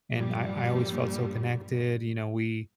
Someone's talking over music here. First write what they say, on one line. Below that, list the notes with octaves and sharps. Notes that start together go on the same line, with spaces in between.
And I I always felt so connected you know, we
G2 A#2 F3 G3